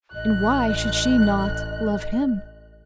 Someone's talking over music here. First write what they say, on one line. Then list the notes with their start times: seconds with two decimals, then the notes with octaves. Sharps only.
And why should she not--love him?
0.15 A1 D#5 F#6